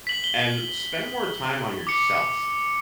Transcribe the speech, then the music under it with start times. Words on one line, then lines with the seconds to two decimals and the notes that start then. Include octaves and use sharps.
and spend more time on yourself.
0.07 B6 F#7
0.24 G7
1.87 D6 C#7